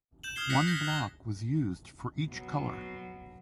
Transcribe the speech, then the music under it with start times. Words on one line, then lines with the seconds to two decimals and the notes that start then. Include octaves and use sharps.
One block was used for each colour.
0.23 G6 E7 F#7
0.36 D#6 F6 G#6 C7 G7
0.49 F#6 A#6 B6 C#7
0.66 G6 A#6 B6 F#7
0.84 G#6 G7
2.28 B2 F#3